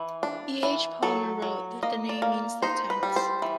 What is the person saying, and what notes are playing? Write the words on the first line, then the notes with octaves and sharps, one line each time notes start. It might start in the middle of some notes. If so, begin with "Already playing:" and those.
E. H. Palmer wrote that the name means "The tents".
Already playing: E3
D4
E3
F#3 A4
F#3
A#3 D#5
D5
A#3
D#4 C5
B4
G3
C5
E3